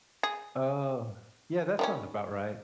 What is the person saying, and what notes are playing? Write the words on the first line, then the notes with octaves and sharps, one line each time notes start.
Oh, yeah, that sounds about right.
G#4
D#3 G3 C#4